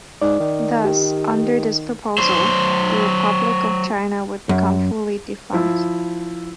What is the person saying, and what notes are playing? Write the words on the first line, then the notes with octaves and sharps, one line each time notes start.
Thus, under this proposal, the Republic of China would become fully defunct.
G#2 D5
D#3
G4
F#3 C5
F#2
F3 E4